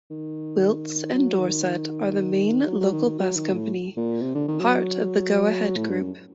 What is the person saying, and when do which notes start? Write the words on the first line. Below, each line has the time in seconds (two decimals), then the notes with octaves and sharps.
Wilts and Dorset are the main local bus company, part of the Go-Ahead group.
0.10 D#3
1.13 F#3
1.39 D#3
2.67 F#3
2.80 F#3
2.93 D#3
3.06 D#3
3.19 F#3
3.36 D#3
3.53 A2
3.97 A#2
4.22 C3
4.35 D3
4.48 D#3
4.60 F#3
5.76 A2
5.89 G2
6.02 F#2